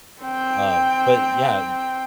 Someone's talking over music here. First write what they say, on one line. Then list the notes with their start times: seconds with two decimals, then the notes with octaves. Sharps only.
um, but yeah
0.22 C4 G5